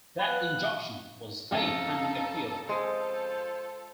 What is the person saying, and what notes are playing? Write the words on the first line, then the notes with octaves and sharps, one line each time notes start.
That injunction was stayed pending appeal.
B3 F5 B5 F#6
F2 C#3 D#4 A4 F5
G#3 F4 A4 C5